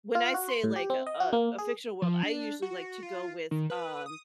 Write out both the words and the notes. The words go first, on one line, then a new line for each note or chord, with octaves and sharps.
when I say like a a a fictional world, I usually like to go with, um,
F4
F#4
C6
A2
G4
C4
D#5
F#4
A#3
G#4
F3
D4
F#4
F4
D#3
B4
D#6